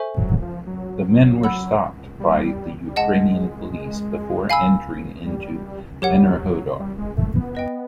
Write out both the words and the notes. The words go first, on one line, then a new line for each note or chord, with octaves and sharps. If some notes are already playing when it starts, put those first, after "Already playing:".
The men were stopped by the Ukrainian police before entering into Enerhodar.
Already playing: A4 C5 E5 G#5 C#6
F#3
F3
F#3
F#5 B5 E6
G3
G3
G#3 D#5 F#5 A5
F5 G#5 B5 E6
G3
F#3 G4 A#4 C#5 F#5
G3
F#3
G3
G#3
A3
B3
B4 D#5 G5